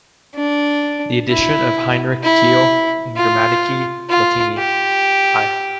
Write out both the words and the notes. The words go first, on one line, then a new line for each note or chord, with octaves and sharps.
The edition of Heinrich Keil, in "Grammatici Latini", i.
D4
E4
E4
F4
F4
G4